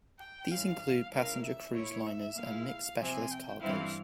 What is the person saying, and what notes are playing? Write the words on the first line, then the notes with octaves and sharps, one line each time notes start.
These include passenger cruise liners and mixed specialist cargoes.
G5
G2 E3 G#3 C#4 F5
C#3 F3 G#3 E4 A#4 F5
E5
A#2 G#3 E4 C#5
E5
A#2 G#3 E4 F5
C3 F3 C4 G#5
G5
G2 E3 G3 C4 E4 F5